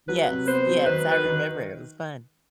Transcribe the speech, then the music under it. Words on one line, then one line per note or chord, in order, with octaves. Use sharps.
Yes, yes, I remember it was fun.
F#3 B4
C3
B3 C5
F#3
D#3 B4
F#3
B4
D#3